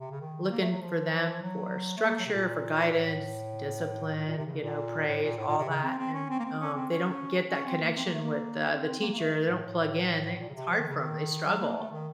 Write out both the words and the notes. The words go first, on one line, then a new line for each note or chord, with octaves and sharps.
looking for them for structure, for guidance, discipline, you know, praise, all that, and, uh, they don't get that connection with the the teacher, they don't plug in, it's hard for 'em, they struggle.
C3
C#3
D#3
A#3
A3
F#3
F3
F#3
A3
A#3
F#3
C3
A#2
A2
A2
A#2
C3
C#3
A#2
A2
A#2
A2
A#2
C3
C#3
C4
C4
C#4
C4
A#3
C4
C#4
C4
C#4
C#4
C4
A#3
C4
A#3
A3
A#3
C4
C4
C4
A#3
A#3
A3
A2
A2
A2
A2
A#2
C#3
C3
F3
D#3
C#3
D#3
F#3
A#3
A3
D#3